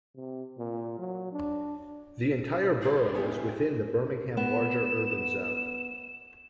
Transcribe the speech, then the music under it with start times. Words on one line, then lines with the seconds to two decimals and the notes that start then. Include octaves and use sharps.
The entire borough is within the Birmingham Larger Urban Zone.
0.16 C3
0.58 A#2
0.98 F#3
1.32 D4
2.82 B1 G#4 D5
3.14 B3 E4 G4 G#4
4.37 B3 E7